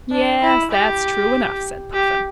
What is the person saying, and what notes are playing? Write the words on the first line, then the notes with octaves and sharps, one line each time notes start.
"Yes, that's true enough," said Puffin.
D4
E4
G4
G4